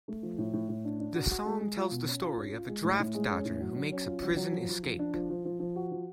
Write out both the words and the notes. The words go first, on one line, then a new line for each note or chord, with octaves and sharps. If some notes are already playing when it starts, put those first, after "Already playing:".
The song tells the story of a draft dodger who makes a prison escape.
A3
F3
A2
A2
A2
D4
D4
F#4
F#4
G#3
G#3
F4
B2
C#4
F4
C#4
F4
G#3
A2
A2
G#3
C#4
A2
F#3
F#3
C#4
F4
F#3
F#3
F3
F3
F3
D4
F3
F3
F3
F3
F#4
F3